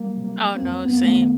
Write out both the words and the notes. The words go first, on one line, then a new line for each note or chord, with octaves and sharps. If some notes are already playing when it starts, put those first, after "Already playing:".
Oh, no. Same.
Already playing: F#3 G3 A#3
C3
A#3
C3
A#3 C4
F2
F#2 B3
A#3
A3 B3
D#3